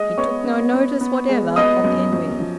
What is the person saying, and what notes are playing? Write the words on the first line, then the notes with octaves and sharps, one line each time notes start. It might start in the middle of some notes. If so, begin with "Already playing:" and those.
He took no notice whatever of Edwin.
Already playing: G#3 D#5 D#6
B3 C#5 C#6
B3
B3
B3
G#3
B3 D#5 D#6
F#2
F#2
F3